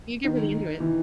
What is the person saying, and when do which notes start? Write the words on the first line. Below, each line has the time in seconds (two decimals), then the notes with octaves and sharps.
you get really into it.
0.24 D#3
0.80 E3